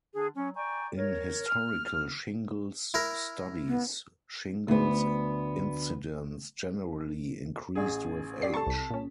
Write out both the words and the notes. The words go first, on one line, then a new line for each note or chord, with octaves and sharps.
In historical shingles studies, shingles incidence generally increased with age.
D3 D4 G#4
F#3 C#4
D5 G5 G#5 A#5 C#6
A#4 C#5
F6
E4 A#4
B3
D2 B3
A1 G#4
G4 D5 C7
A4 A5 C#6
C2 B6
A#2 C#4